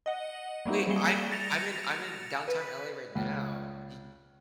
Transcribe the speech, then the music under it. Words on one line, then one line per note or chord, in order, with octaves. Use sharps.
Wait, I'm I'm in I'm in downtown LA right now. Ye
D#5 F#5
G3 A3 A#3 C4 D#4
G3 A3 A#3 G#4 C#7 G7
A6 A#6 C#7 E7 F7
B4
C#2